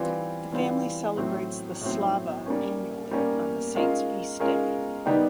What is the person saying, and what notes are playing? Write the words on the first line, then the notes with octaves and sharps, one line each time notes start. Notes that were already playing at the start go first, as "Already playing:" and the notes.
The family celebrates the Slava annually on the saint's feast day.
Already playing: E3 G3 C4 F4
E3 G3 C4 F4
A2 F#3 A3 C4
A2 F#3 A3 C4
G3 A#3 C#4
G3 A#3 C#4
G#3 C#4 F4 A#4
G#3 C#4 F4 A#4
D#3 G3 B3 D#4 G4